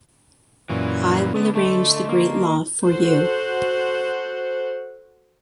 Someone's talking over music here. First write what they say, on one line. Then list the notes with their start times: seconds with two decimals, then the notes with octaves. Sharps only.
I will arrange the great law for you.
0.69 F#2 A#2 E3 C#4 D5
1.35 D3 B3
1.55 A3 A4 D#5 C6 C#6
2.09 A#3
2.85 F#4 A4 C5 F#5